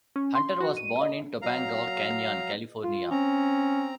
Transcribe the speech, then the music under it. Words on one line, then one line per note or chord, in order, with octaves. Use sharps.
Hunter was born in Topanga Canyon, California.
C#4
C6
F#4
D#7
D#5
F#3 F5 A#5
F4
C4 C#4 A#5